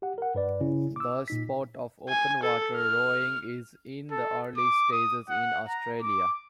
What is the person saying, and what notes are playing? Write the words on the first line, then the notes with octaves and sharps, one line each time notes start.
The sport of open water rowing is in the early stages in Australia.
G4 F#5
A#4 F#5
G2 B4 D5
C#3 C#4 E4
D6 E6
A#2 D#4 B6
G#5
A4
F6
A4
D6
D#6
F#5
A#5
D6